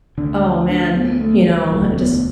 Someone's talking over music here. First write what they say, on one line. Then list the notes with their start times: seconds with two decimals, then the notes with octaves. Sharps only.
oh man, you know, just
0.18 D2 D3 D4
0.69 D4
0.95 B3
1.10 B3
1.20 A3
1.38 A3
1.47 G3
1.72 E1 D2 D3 A3
1.98 B3